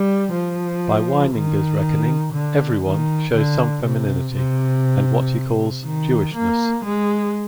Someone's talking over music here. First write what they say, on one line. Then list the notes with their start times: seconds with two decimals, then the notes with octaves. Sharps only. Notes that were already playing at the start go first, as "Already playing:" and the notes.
By Weininger's reckoning "everyone" shows some femininity, and what he calls "Jewishness".
Already playing: G3
0.32 F3
1.32 D#3
2.33 D3
2.84 D#3
3.33 D3
3.84 C3
4.33 C3
5.84 D#3
6.34 A#3
6.85 G#3